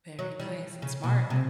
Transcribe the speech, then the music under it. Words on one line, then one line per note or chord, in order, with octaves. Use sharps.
Very nice and smart.
F#3
G3
C#3
B2
C3